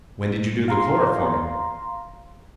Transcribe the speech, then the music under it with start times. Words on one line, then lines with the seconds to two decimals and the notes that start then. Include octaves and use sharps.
"When did you do the chloroforming?"
0.68 F5 A#5 C6